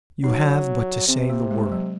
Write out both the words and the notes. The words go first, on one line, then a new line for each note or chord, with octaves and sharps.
You have but to say the word.
F#3 D#4
C3 C4
A#3
G#3
F#3